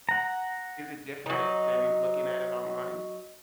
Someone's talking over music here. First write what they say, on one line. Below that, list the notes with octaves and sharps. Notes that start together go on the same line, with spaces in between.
is it different than looking at it online?
F#5 A#5
F#3 D#4